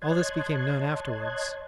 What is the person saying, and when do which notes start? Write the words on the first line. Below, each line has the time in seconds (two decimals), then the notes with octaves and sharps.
All this became known afterwards.
0.02 C#5 D#5 A5 C6 F#6 G#6